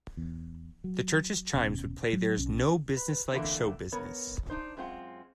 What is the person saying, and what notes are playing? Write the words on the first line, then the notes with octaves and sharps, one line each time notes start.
The church's chimes would play There's No Business Like Show Business.
E2
F#3
D#1 B2 C#4
F#3
B1 C#4
B4
D3 E3 A3 A#3 C4 D4
B3 A#4 C#5
D4 D#4 C5
F#2 G#3 C4 F4 F#5